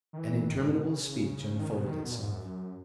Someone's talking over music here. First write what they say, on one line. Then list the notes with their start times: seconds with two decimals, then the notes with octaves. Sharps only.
An interminable speech unfolded itself.
0.13 D#3
0.18 E3
0.47 D#3
0.55 F#2
0.65 G#2
0.75 B2
0.89 C#3
1.59 D#3
1.69 C#3
1.74 B2
1.88 D#3
2.03 B2
2.12 A#2
2.17 G#2
2.31 F#2
2.45 F#2